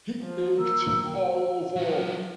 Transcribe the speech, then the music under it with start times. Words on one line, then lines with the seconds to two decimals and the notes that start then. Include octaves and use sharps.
He ached all over.
0.21 F3
0.59 A#3 E6
1.03 G5
1.76 F#3 F4